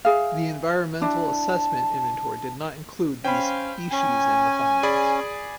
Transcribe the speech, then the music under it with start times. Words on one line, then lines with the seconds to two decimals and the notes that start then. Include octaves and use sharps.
The Environmental Assessment inventory did not include these species in the findings.
0.05 G#4 E5 F5
1.02 D4 E4 A5
3.25 C#4 C5 F5 G5 B5
3.92 C#4 G#5
4.83 G#4 D5 B5